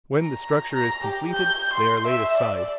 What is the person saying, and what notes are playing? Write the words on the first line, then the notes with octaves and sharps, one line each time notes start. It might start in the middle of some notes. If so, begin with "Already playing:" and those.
When the structure is completed, they are laid aside.
A#5
A#5
G4
G6
C6
E5
D5